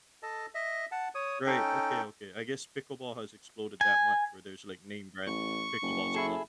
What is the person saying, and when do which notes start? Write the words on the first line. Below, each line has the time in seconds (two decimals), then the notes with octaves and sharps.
Right, okay, okay. I guess pickleball has exploded that much where there's, like, name-brand pickleball stuff?
0.23 A4 D#5 A5
0.55 D#5 E5
0.92 F#5 A5
1.15 C#5 D#6
1.47 C#4 D#4 A4 G5
3.81 G#5
5.26 A1 C#6
5.82 F#1
6.14 E4 G#4 A4